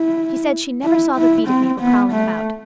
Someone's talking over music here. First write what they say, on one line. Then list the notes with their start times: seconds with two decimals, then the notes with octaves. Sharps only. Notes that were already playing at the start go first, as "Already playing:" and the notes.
She said she never saw the beat of me for prowling about.
Already playing: E4
0.83 E4
1.16 E4
1.48 C4
1.80 B3
2.12 A3